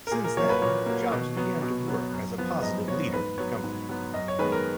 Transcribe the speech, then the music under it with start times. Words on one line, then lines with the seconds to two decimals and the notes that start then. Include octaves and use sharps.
Since then, Jobs began to work as a positive leader in the company.
0.07 A#4
0.11 A#2 G#4
0.24 A#4
0.37 F#3 A#3 C#5
0.50 B4
0.62 A#2 C#5
0.86 F#3 A#3
1.12 B2
1.37 F#3 B3
1.62 B2
1.88 F#3 B3
2.12 F#2
2.38 F3 B3
2.62 F#2 D#5
2.88 F3 B3 C#5
3.12 G#2 B4
3.38 F#3 B3 C#5
3.64 G#2
3.89 F#3 B3
4.13 F#2 D#5
4.28 C#5
4.39 D#3 G#3 B3 B4
4.52 A#4